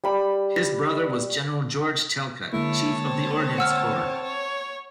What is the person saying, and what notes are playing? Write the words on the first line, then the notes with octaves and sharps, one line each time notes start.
His brother was General George Talcott, Chief of the Ordnance Corps.
G3 B5
D3 G#3 A#3 E4 C#5 A5
C4
F#5 E6 F6
C#5